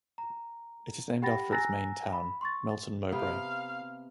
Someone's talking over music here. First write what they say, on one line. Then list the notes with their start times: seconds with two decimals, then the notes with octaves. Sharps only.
It is named after its main town, Melton Mowbray.
0.18 A#5
1.22 G4 F#5 G5 B5 A6 A#6
1.52 G#5 A#5 E6 F#6 A6 A#6
2.13 B5
2.41 C6 C#6 A6
3.12 C3 B3 F5 G5